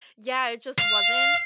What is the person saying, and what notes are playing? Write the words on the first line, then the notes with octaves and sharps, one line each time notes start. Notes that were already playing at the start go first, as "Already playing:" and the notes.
Yeah. It just wasn't
F5